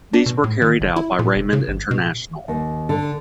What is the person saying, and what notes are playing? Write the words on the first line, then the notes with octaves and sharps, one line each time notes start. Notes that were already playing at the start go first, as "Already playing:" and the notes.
These were carried out by Raymond International.
D4
B2
A2
D#3
G1
E4
A#2
E1
C#3
G#1
B2
D#2
D3